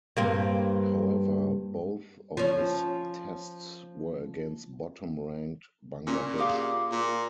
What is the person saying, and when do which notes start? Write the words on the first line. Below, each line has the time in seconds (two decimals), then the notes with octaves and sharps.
However, both of his Tests were against bottom-ranked Bangladesh.
0.17 G2 A#3 C4
2.37 F3 C#4
6.07 A#2 C#4
6.38 G4 G#4 F5
6.92 A#2